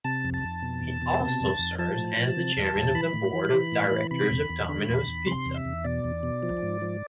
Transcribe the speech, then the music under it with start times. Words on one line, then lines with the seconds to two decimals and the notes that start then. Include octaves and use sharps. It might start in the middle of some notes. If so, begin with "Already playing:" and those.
He also serves as the chairman of the board of directors of Domino's Pizza.
0.04 C3 A5
0.25 F2
0.34 A5
0.43 F2
0.62 B2
0.81 E2
1.02 B2
1.20 C3
1.40 F2
1.59 F2
1.78 F3 A5
1.98 A2
2.17 F3
2.37 C3
2.57 E2
2.76 E2
2.95 E3 B5
3.14 A2
3.33 E3
3.53 E3
3.72 A2
3.91 E3
4.11 C3 B5
4.30 E2
4.49 E2
4.69 D3
4.88 E2
5.07 E2
5.26 C3 C6
5.46 E2
5.56 E5
5.65 E2
5.84 B2 D5
6.04 E2
6.23 B2
6.43 F3
6.63 G#2
6.82 F3